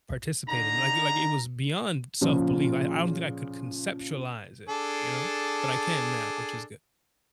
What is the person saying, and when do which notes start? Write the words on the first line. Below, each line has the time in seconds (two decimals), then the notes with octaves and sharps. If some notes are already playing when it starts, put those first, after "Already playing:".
participate in. Like, it like, it was beyond self-belief. I I don't think I could conceptualize it, you know, but I can now, which is good.
0.49 D3 D#4 A#5
2.21 A#2 C#3 F3
4.69 D4 G#4 A4